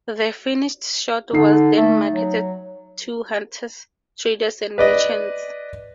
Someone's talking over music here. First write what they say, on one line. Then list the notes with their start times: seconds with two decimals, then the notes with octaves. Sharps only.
The finished shot was then marketed to hunters, traders and merchants.
1.33 D3 D#4 C7
1.77 A3
2.13 F#3
4.78 B4 D5 D#5